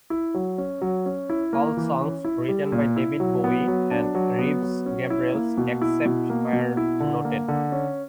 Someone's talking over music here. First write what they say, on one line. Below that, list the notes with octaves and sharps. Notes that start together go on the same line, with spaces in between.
All songs written by David Bowie and Reeves Gabrels except where noted.
E4
F#3
C#4
F#3
C#4
E4
A#3
E3
C#4
E4
G3
A#2
E4
F#3
B3
F#3
D4
F#3
B3
F#3
C#4
E4
A#3
B2
E4
B2
A#3
B2
E4
D3
A#3
D3
C#4